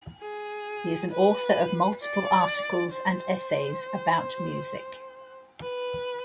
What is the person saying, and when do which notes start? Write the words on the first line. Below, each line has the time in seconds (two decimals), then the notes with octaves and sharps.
He is an author of multiple articles and essays about music.
0.22 G#4
1.12 B4
2.02 D5
2.93 C5
5.63 B4